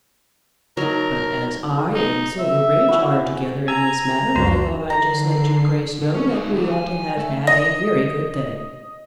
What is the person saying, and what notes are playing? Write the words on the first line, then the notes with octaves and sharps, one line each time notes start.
But as I and Silverbridge are together in this matter I thought I'd just let your Grace know that we ought to have had a very good thing.
F#3 D#4 A#4
D#4
E5
E4 F#4 G#5
G#5 A#5 E6
C#2 F#2 D4 F#4 C5
D3 A#5 C7
D3
C#4
D#4 F#4
D#3 A4
G#5
A3
D#5 D#6 A#6